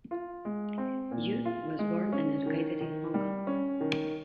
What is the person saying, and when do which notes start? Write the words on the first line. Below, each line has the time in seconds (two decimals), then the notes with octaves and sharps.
Yiu was born and educated in Hong Kong.
0.11 F4
0.45 G#3
0.78 C4
1.11 A#2
1.45 F4
1.79 G#3
2.12 C#4
2.46 D#3
2.80 D#3
3.14 G3
3.47 C#4
3.81 D#3